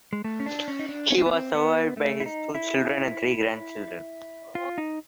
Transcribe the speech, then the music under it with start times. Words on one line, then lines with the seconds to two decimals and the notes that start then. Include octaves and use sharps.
He was survived by his two children and three grandchildren.
0.13 G#3
0.24 A3
0.40 C#4
0.46 D4
0.68 C#4
0.79 D#4
0.89 D4
1.10 C#4
1.18 C4
1.26 B3
1.33 C4
1.54 B3
1.97 A3
2.20 E4
2.26 D#4
2.55 E4
4.55 F4
4.78 D#4